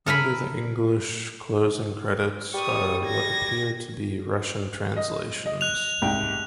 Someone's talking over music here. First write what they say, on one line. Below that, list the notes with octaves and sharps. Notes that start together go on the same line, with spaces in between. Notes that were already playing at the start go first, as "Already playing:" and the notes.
Under the English closing credits are what appear to be Russian translations.
A4 A#4 G#5 B5
G3 C#6 D#6
G#6 A#6
D#5
D#5
F#6 F7
C2 G#2 G5